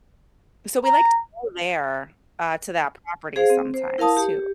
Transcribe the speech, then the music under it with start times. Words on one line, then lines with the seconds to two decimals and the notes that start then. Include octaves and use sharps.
so we like to go there, uh, to that property sometimes too.
0.84 A#5
3.36 G#4 C5 F5
3.50 C4
3.74 C5
3.98 E4 A#4 F5 A5 D#6
4.17 G4